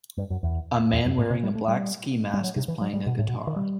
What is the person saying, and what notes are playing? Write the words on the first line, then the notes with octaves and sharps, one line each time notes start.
A man wearing a black ski mask is playing a guitar.
G2
F#2
E2
E2
F#2
A2
C3
G3
A3
G3
G3
F#3
C3
E3
F#3
G3
B2
A2
B2
D#3
G3